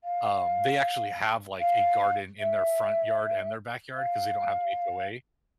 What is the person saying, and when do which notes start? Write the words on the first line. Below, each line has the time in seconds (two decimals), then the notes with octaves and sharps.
um, they actually have, like, a garden in their front yard and their backyard 'cause they don't have an HOA,
0.03 F5
1.60 F5
2.39 E5
3.95 F5